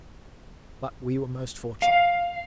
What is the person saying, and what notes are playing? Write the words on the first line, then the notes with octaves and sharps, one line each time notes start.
But we were most fortunate.
F5